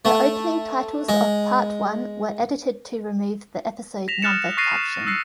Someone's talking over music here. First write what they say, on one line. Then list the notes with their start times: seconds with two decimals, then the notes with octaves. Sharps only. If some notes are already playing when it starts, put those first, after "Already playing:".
The opening titles of Part One were edited to remove the episode number caption.
0.05 A3
1.09 G#3
4.08 A#6 B6 E7 F7
4.22 D#6 F6 F#6 A6 C#7 E7
4.57 C#6 F#6 A6 A#6 C7 D#7
4.77 E7
5.07 E6 F#6 A#6 C7 C#7